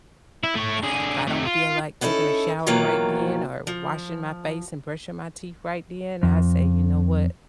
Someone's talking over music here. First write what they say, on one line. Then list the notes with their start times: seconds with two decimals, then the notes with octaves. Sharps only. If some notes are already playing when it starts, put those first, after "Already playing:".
I if I don't feel like taking a shower right then or washing my face and brushing my teeth right then, I say, "You know what?
0.44 E4
0.55 A3 C#5
0.83 D3 G#4
1.27 C3 A3
1.46 F4
2.01 B3 C#4 D#4 E4 A4
2.67 B2 D#3 E3 F#3 A#3 F4
3.67 F3
6.23 F2